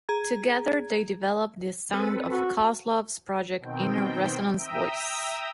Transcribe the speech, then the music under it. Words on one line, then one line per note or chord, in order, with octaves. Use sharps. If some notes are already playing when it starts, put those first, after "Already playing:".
Together they developed the sound of Kozlov's project Inner Resonance Voice.
G#4 A#5 G#6
C4 A4 B4
F#4
B2 D#3 C4 G5
E5 G5 A#5 D#6 E6